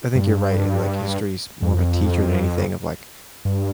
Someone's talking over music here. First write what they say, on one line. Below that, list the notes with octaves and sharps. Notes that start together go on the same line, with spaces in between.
I think you're right. And like history is more of a teacher than anything of like,
G2
F2
G2